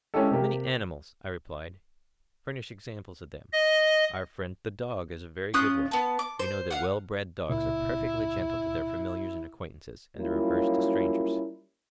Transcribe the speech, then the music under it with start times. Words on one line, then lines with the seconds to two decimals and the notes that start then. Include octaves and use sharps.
Many animals, I replied, furnish examples of them; our friend the dog is a very good one: you know that well-bred dogs are perfectly gentle to their familiars and acquaintances, and the reverse to strangers.
0.14 G#3 C#4 D4 E4 G4 A4
0.31 C3 A#3 G4
3.53 D#5
5.54 C#4 F4 D#6 F#6
5.91 B3 A5
6.19 D6
6.39 C5
6.71 F5 F#5
7.49 C#2 A#2 E4
10.17 F#3 G3 A#3 C#4 E4 F4